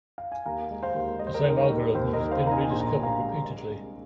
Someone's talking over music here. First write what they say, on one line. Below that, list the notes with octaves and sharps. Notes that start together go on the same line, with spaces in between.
The same algorithm has been rediscovered repeatedly.
F5
G#5
D#2 F5 A#5
G#3
C5 F5
D#2
G#3 D#5
C5
A#4 D#5
D#3
A#4
C5
D#2
D#2 C5
A#4 D#5
D#3
C5 F5
D#3 A#5
D#5 G#5
A#1 C6
A#5
A#1 G#5
F5 A#5
G#3
G#3
C2